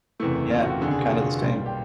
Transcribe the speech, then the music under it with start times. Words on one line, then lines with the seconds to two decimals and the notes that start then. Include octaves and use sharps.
yeah. I'm kinda the same.
0.20 F#1 E2 C3 E3 A3 E4
0.51 F4
0.61 F#4
0.70 G4
0.81 F1 D#2 D3 G#4
0.91 G#4
1.01 F#4
1.11 F4
1.41 B1 A#2 G3
1.66 G4